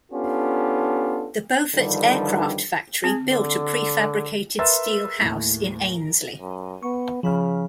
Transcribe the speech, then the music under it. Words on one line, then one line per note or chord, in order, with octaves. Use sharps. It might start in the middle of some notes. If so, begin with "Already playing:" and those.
The Beaufort aircraft factory built a prefabricated steel house in Ainslie.
B3 C#4 D4 F4 G4 A4
G2 D3 D#3 F3 G3
C4 G#4
D3
A#4 B4 E5 C6 E6 A6
D#2 A2
F#2
B3 C#6
C#3 F3 B5 F6